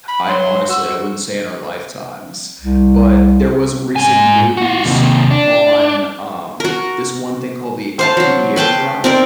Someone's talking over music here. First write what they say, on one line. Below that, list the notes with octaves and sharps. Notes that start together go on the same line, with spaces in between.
I, honestly I wouldn't say in our lifetimes, but there was recent news on, um, this one thing called the Alcubierre drive,
B5
F#3 C6
F#4 E6
C2
G#2 G#5
F4 F#4
D#2 C3
D4
F#4 A#4
C5 F5 A5
F#3 F#4
B4 G5 A5 C6
C4 D#4 A#4 D5